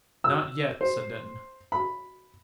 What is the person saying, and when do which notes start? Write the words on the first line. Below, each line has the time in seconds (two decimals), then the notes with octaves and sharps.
"Not yet," said Denton.
0.24 E6
0.81 C5
1.72 B5